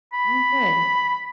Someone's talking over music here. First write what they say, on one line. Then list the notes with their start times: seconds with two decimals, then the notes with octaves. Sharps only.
Oh, good.
0.13 B5